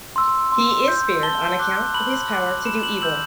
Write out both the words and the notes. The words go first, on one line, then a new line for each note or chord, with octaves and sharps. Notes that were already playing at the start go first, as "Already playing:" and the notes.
He is feared on account of his power to do evil.
C6 E6
C6
G6
A5 G7
D6 F#6
B5 F#7
D6 F#6
B5 E7
F#7
E6 G6 F#7